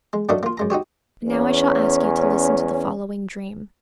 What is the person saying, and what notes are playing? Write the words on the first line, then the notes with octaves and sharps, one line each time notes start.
And now I shall ask you to listen to the following dream.
G#3
F#2 A3 D4 F#4 A#4 D#5
A#3 F4
F#2 G#3 A#5
D#4 F#4 G4 C#5
E2 C#4